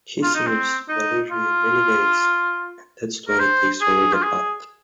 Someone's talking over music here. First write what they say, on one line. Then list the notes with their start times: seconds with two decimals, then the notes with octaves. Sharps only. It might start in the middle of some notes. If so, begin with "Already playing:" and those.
He serves Valeria in many ways, and that story takes over the plot.
0.23 F4
0.34 D#4
0.47 C4
0.89 D#4
1.31 F4
3.28 A#4
3.39 C5
3.81 G#4
4.13 F4
4.23 G#4